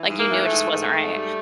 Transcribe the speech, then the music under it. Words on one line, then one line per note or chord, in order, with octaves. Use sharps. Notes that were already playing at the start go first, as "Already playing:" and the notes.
like you knew it just wasn't right.
Already playing: E3
G#2
A#3
E3
A3
G#2
G#2
G#2
G3